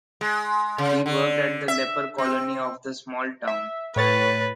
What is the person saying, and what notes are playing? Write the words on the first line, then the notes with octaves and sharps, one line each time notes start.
He worked at the leper colony of the small town.
G#3
C#3
D3
E5
C4
E5
A2 B4 C#5 A6